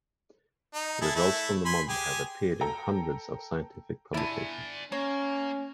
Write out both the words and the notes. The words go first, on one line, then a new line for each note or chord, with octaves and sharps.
Results from the model have appeared in hundreds of scientific publications.
D#4
E4 G#4 A4
A3 E4
G#5 B5 C6
G4 G#4 G#5
A4 G5 A#5
D3 E4 D5 G#5
A#3 C#4 C#5